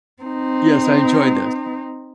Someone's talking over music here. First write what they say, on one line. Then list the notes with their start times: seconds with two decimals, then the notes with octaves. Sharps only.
Yes, I enjoyed this.
0.23 C4 D#4